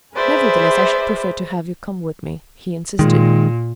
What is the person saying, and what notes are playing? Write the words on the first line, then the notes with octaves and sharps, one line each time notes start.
"Nevertheless, I should prefer to have you come with me," he insisted.
G#4 B4 C5 D5 E5
A#2 D#3 G#3